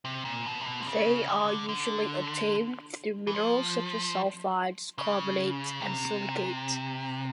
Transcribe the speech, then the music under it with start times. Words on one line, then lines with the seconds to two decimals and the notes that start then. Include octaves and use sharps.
They are usually obtained through minerals such as sulfides, carbonates, and silicates.
0.05 C3
0.25 A#2
0.46 B2
0.60 C3
0.66 B2
0.81 C3
0.87 C#3
1.28 D3
1.69 D3
3.27 E3
3.35 F3
4.98 C#3
5.80 C3